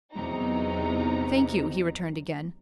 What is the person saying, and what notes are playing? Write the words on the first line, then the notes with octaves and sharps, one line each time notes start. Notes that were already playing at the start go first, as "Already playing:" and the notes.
"Thank you," he returned again.
E2 C3 F#3 D#4 A#5